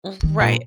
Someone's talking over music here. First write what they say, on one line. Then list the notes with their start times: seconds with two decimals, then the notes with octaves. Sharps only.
M Right.
0.23 D#3
0.41 A#2